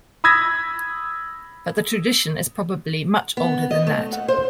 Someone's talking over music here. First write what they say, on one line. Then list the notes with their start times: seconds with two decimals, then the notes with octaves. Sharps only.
But the tradition is probably much older than that.
0.24 B5 D#6 E6 G#6 A#6 B6
3.37 B3
3.71 D#5
3.87 A3
4.12 F#5
4.28 C5